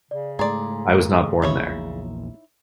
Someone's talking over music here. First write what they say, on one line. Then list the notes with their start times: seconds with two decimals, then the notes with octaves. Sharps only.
I was not born there...
0.11 C#3 D5
0.39 G#2 A3 G#4 D5 A#5 C6
1.42 A#1 E2 A#2 D#4 E4 C#5